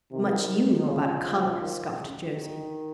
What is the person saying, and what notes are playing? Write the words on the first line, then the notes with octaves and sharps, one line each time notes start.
Much you know about a colour,' scoffed Josie.
C3 D#3
C#3 F3
D#3
C#3
D#3